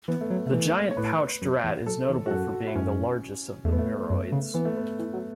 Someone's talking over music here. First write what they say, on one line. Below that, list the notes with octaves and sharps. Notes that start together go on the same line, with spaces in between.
The giant pouched rat is notable for being the largest of the muroids.
E3 B3
A3
F#3
A3
E3
C#5
A2 B4
F#2
E2
F#2 A4
E2
F#4
F#2 A4
F#4
E4
F#2 C#4
E2 A3
B3
A3
F#2
C#3
E3 B3
A3
B3
E3
F#3